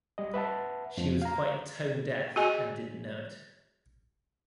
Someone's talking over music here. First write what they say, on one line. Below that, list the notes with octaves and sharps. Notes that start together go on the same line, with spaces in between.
She was quite tone-deaf, and didn't know it.
G3 D#5
B4 E5 F#5 A5
F2 F3
F5 A#5
F#4 G#4 D#5 G#5